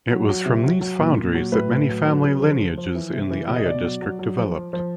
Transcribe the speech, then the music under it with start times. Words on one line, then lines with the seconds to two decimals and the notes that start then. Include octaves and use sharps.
It was from these foundries that many family lineages in the Aia district developed.
0.11 F#3
0.29 F#3
0.46 C3
0.64 F#3
0.81 F#3
0.99 A#2
1.17 A#2
1.34 F#3
1.52 A2 B4
1.71 A2
1.89 F#3
2.05 F#3
2.24 C#3
2.42 F3
2.59 F3
2.78 F3
2.95 E3
3.13 C3
3.31 E3
3.48 C3
3.56 D#5
3.66 B2 D5
3.84 F#3
4.02 F#3
4.19 F#3
4.37 F3
4.55 F3
4.73 F3